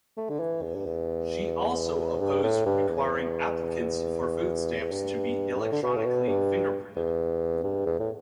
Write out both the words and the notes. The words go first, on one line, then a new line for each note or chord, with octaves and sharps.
She also opposed requiring applicants for food stamps to be electronically fingerprinted.
A3
D3
E3
E2
G2
E2
G2
A2
G2
E2
E2
G2
G2
A2
D3
B2
A2
B2
G2
E2
G2
E2
A2